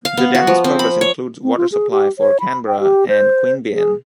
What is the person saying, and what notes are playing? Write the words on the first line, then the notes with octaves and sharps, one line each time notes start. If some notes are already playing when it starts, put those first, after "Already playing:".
The dam's purpose includes water supply for Canberra and Queanbeyan.
F5
B3
F#4
F3
C4
B5
C#5
C4
F4
G#4
G4
C#5
B5
G5
G4
C5
G#4